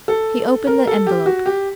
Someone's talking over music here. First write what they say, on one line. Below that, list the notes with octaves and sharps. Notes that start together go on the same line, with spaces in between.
He opened the envelope.
A4
A#4
A4
G4
F#4
G4